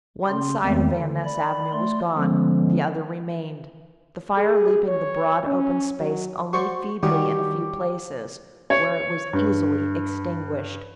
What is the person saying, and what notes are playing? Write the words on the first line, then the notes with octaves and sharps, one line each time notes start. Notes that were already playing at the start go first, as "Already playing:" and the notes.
One side of Van Ness Avenue was gone; the other remained, the fire leaping the broad open space only feebly in a few places, where it was easily extinguished.
C#3 C#4 C6
E2 D#3 G#3 A3 B3 C4
D3
D5 B5
A3 D5 C6
D3 F3 G#3 B3 C#4
G#4
C#5
C#4
F#3
F#4 C5 D5 C#6
D#3 G3 C#4 F#4 G4
C#5
G2